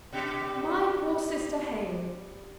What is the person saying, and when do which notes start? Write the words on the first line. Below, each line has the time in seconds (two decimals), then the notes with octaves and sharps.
My poor sister Hale!
0.13 B2 D4 G4